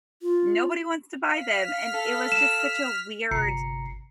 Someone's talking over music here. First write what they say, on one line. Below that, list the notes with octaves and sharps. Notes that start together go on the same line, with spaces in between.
nobody wants to buy them," and it was just such a weird
F4
F5 F6 B6
A4
F5 E7
G1 C3 A#5 C7 C#7